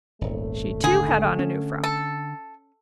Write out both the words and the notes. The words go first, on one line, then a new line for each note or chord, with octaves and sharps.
She, too, had on a new frock.
D#1 G#1 A3
D3 G#4
C#4
A4